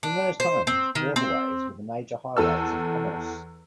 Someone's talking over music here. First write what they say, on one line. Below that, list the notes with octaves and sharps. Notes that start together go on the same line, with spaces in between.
In those times, waterways were the major highways of commerce.
D4
C5
C4
D#3
C4
E2 A4 E6